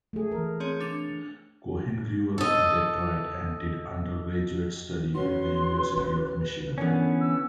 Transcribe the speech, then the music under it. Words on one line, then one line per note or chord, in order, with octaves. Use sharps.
Cohen grew up in Detroit and did undergraduate study at the University of Michigan.
A3 G#4
E3 A#4
C4 G#4 C#5
D4 C#7 F7
A4 D#5
C#4 F#4 B4 C6
D3 E3 B3 C#4 A#4
E6